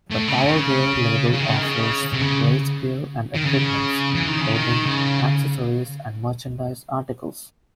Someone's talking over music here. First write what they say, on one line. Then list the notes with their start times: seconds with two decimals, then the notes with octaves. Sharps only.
The Powerwear label offers race gear and equipment, clothing, accessories and merchandise articles.
0.11 A2
0.28 C#3
0.46 C#3
1.34 C#3
1.42 D#3
1.49 C#3
1.56 D#3
1.63 C#3
2.13 C3
2.21 C#3
3.35 D#3
3.46 C#3
4.15 E3
4.28 D#3
4.41 C#3
4.54 D#3
4.86 C#3